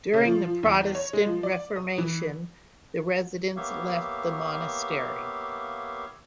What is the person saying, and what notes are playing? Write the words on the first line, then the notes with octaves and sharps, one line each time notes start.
During the Protestant Reformation the residents left the monastery.
C#3
F3
F3
E2
C#5
G#3
F3
D5
D#6
E3
A#3 B3 G4 C#5 E5 F5